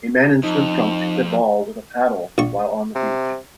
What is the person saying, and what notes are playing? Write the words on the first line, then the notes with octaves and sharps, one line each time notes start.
A man in swim trunks hits a ball with a paddle, while on the beach.
F2 D#4
A#1 C#6
C3